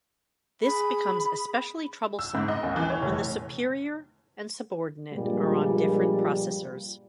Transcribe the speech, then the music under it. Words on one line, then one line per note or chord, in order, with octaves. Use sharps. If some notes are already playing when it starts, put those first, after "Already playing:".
This becomes especially troublesome when the superior and subordinate are on different processors.
G#4 B5
E6
G#2
D#5
D#2
E3
C#5
F1
G2 A#2 F3 G3 G#3 A#3